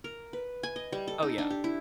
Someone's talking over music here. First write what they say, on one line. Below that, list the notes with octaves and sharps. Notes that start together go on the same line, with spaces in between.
Oh, yeah.
A#4
B4
G#5
D#5
G3
A4
D#4
D4
G4
E4